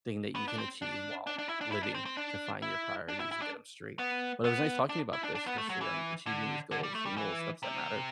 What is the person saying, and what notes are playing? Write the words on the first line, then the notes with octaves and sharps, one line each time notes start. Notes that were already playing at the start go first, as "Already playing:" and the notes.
thing that you can achieve while living to find your priorities and get 'em straight. But it was nice talking about this, especially on achieving these goals and little steps that matter.
B3
D4
C4
D4
D4
D4
E4
D4
E4
D4
C4
C4
D4
E4
D4
E4
E4
D4
B3
B3
D4
E4
D4
D4
B3
A3
F#3
E3
D3
D3
G3
A3
G3
E3
C3